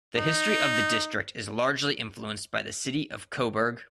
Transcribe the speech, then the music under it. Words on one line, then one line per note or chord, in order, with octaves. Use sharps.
The history of the district is largely influenced by the city of Coburg.
D#4